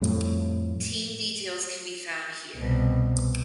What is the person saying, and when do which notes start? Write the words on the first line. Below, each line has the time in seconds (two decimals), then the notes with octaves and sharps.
Team details can be found here.
0.01 F2 A2 F3 G3
2.57 C2 B2